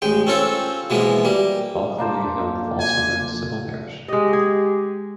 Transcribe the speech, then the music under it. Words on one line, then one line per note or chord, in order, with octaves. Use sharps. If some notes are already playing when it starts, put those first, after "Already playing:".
Bulkeley Hill falls within the civil parish.
A1 G#3 G5
C4 C#4 F4 A4
B2 E3 F3 G#3 A#3
G3 A#3
A#3 D4 C5
G#5
G#3 G4 D#5
G#4